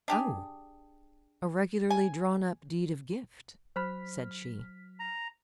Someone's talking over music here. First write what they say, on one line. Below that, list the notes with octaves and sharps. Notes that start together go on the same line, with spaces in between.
"Oh! a regularly drawn up deed of gift," said she.
D4 G4 G#4
G#5
F#3 C5 B5 F6 B6
A#5